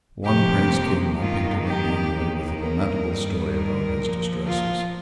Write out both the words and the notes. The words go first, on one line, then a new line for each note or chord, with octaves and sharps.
One prince came mumping to them annually with a lamentable story about his distresses.
F2 C3 F3 A#3 G4
G2 D#3 A#3 F4
G4
D#2 D#3 A#3
A#4
G2 D#3 G3
A#4
A#2 F3 A#3
F4